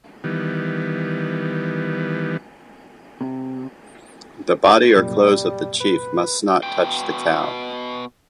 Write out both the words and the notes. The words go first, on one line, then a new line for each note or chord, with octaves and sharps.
The body or clothes of the chief must not touch the cow.
D#3 E3 G3 B3
C3
C2 F#2 A#2 G3
B4
B2 G5